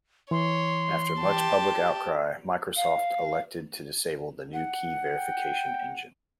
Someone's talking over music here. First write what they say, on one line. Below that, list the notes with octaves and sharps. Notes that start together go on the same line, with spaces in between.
After much public outcry, Microsoft elected to disable the new key verification engine.
E3 C#5 C6
G4 A5
F5
F#5
G5